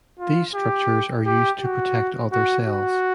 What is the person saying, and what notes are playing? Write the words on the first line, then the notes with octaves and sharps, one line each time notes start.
These structures are used to protect other cells.
F4
G4
G4
F#4
F#4
F#4